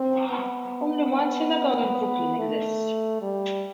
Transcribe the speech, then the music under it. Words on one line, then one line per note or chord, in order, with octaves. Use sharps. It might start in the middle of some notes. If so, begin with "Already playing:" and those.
Only one synagogue in Brooklyn exists.
Already playing: C4
B3
A3
G3